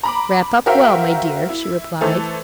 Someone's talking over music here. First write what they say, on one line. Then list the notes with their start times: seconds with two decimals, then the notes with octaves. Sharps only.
"Wrap up well, my dear," she replied.
0.03 A#5 B5 D6
0.66 F#4 A#4 C5 E5 F5 G5
1.49 E4
2.01 E3 A3 A4 C5